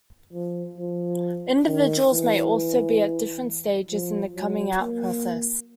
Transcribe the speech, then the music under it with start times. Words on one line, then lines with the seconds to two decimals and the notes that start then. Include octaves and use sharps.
Individuals may also be at different stages in the coming out process.
0.33 F3
0.78 F3
1.67 D#3
2.12 E3
3.91 F3
4.35 F#3
4.80 A#3